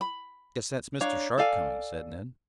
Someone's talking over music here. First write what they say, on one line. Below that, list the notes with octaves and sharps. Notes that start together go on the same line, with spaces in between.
"Guess that's Mr. Sharp coming," said Ned.
B5
D4 C#5 F5 A#5
A4 D5 F5 G#5